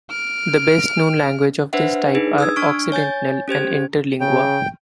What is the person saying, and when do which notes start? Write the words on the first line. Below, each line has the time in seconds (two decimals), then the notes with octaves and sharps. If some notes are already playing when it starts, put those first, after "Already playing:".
The best known languages of this type are Occidental and Interlingua.
0.10 F6 D7
1.73 D4 B4 C5 E5 F#5
2.15 D4 D#4 G#4 B4
2.38 D#6 E6 G#6
2.56 D4 C#6 F6 D7
2.92 C#5 G#5 G6 A6
3.48 C#4 G4 C5 G#6
4.20 C#3 G5